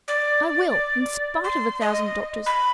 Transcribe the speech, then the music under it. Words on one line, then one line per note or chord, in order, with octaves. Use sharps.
I will, in spite of a thousand doctors.
D5
C6
D#5
B5